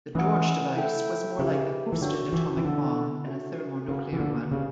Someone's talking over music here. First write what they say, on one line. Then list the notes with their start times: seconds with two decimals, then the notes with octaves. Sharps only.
The "George" device was more like a "boosted" atomic bomb than a thermonuclear one.
0.15 E3 A3 C#4 E4 B4 F#5
0.77 E4 A4 E5 G5
1.39 C#3 G4 B4 E5
1.92 E3
2.01 D3 F#4 C#5 G5
2.33 E3
2.57 E3
2.64 D3 B3 E4 A4
3.26 D4 F#4 A4 C#5 E5
3.88 C#3 B3 F#4 B4 F#5
4.13 E3
4.20 D3
4.51 C#3 G4 B4 D5